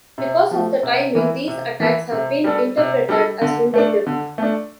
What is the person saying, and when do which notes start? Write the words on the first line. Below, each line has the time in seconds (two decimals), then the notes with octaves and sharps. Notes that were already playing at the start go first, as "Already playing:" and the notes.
Because of the timing, these attacks have been interpreted as vindictive.
0.18 C3
0.51 F3 A3
0.83 C3
1.15 E3 A#3 E4
1.48 C3
1.80 E3 A#3 E4
2.12 C3
2.44 G3 D4 A4
2.77 C3
3.09 G3 D4 A4
3.41 D3
3.74 A3 D4
4.06 D3
4.38 A3 D4